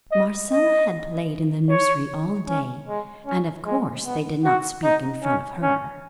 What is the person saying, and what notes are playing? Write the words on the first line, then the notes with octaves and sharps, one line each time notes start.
Marcella had played in the nursery all day and of course they did not speak in front of her.
D#5
D#5
C#5
C#4
G#3
C#4
G#3
B3
F#4
D#4
C#4
C#4